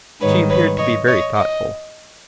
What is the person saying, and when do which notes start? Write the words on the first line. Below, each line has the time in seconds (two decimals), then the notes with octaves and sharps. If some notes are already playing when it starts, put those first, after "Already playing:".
She appeared to be very thoughtful.
0.21 G#2 D#3 G3 B4 C#5
0.49 B4 C#5
0.78 C#5 D#5
1.07 C#5 D#5
1.36 D#5